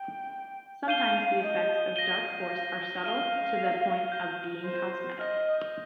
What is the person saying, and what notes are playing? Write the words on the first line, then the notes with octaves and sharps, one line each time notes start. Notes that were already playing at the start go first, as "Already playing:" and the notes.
Sometimes the effects of Darkforce are subtle to the point of being cosmetic.
Already playing: G5
F5 G6 D#7 G7
D#5
F5 A#6 D#7 G7
F5 F6 D#7 G7
G6 A#6 G7
C5
D#5 F6 A#6 G7